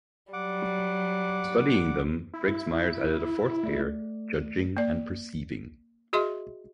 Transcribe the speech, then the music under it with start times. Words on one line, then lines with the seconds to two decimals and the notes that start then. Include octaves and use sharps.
After studying them, Briggs Myers added a fourth pair, Judging and Perceiving.
0.33 F#3 G3 F#5 D6
2.34 E4
3.63 A3 D5
4.77 A#3 D5
6.13 F#4 G#4 D#5 E5 C6